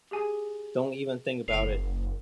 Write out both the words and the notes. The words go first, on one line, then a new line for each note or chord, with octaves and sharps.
Don't even think about it.
G4 G#4 G#5
F#1 C7 F7